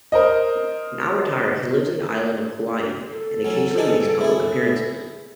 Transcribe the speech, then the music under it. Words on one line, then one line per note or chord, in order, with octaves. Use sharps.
Now retired, he lives on the island of Kaua'i and occasionally makes public appearances.
A#4 C5 D#5
A4
F#3 C#4
D4 D#4 G#4
G2
E4 G#4